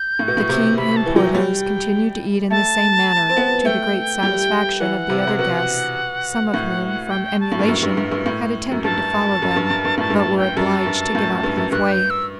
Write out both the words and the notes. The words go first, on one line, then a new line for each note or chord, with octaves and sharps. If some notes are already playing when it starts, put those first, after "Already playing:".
The king and Porthos continued to eat in the same manner, to the great satisfaction of the other guests, some of whom, from emulation, had attempted to follow them, but were obliged to give up half-way.
Already playing: G6
A2
B2
A2
C3
C3 B5
A5
E3
F#3 G5
E3
G3 G5
A3 A5
C4
B3
A3 G5
G3
E3 F#5
C3
C3
B2
A2
G5
A5
A2
G2
F#2
G2
G2
G2
A2
F#2
G2 A5
F#2
G2
G2
G2
A2 A5
G2
A5
G5
F#2 A5
G2
A2
G2
F#2
G2 F#6
G6
E6